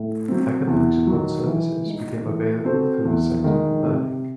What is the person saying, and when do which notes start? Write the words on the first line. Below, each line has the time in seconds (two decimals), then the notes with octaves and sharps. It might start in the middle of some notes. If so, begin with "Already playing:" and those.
Academic support services became available through the Center for Learning.
Already playing: A2
0.29 F#3 C4
0.67 E2
1.07 D#3 F#3
1.46 E3
1.85 G#3 D#4
2.25 E3
2.65 C4 F#4 A4 C5
3.05 E2
3.44 D#3 G#3 D#4
3.84 C3